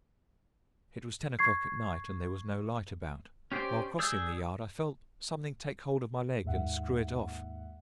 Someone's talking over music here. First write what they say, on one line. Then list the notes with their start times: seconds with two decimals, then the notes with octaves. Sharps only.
It was ten o'clock at night, and there was no light about. While crossing the yard I felt something take hold of my leg and screw it off.
1.39 C#6 G#6 C7
3.52 C#4 G4 C5 D5
3.99 G#4 D5 E6 G6
6.44 D#2 G#2 E5 F#5